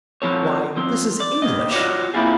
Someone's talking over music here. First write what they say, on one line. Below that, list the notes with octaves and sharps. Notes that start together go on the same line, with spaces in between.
"Why, this is English!"
F3 C4 A4 C#5
F3 C4
D5
D#2 D#5
F4 F#4 G#4 C#5 D5
A#3 C4 D4 E4 F4 G#4